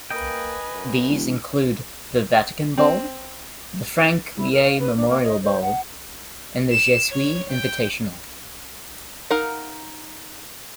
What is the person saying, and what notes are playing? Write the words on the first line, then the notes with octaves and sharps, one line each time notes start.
These include the "Vatican Bowl", the "Frank Leahy Memorial Bowl", and the "Jesuit Invitational".
A#3 B4 D#5 G5 G#5
F#2
E1
C4
E4
A#4
F5
B4
D4
A#3
D#5
C5
F#5
E7
C#5
G5
D#4 A#4 F5 F#5